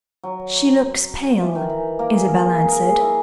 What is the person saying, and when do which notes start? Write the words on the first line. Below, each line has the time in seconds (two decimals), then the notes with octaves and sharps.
"She looks pale," Isabel answered.
0.24 F#3
1.41 E3
1.55 D#3
1.70 E3
1.99 A#3
2.13 G#4
2.28 A#4
2.42 G#4
2.58 G#4
2.71 A#4
2.86 G#4
3.01 E4